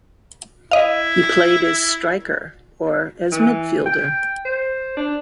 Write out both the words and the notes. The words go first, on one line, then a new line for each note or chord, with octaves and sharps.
He played as striker or as midfielder.
E4 D#5 F5
E3
G5
C5
D4